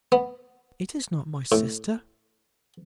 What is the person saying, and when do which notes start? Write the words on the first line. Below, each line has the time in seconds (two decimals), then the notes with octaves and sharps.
"It is not my sister."
0.12 B3
1.52 A2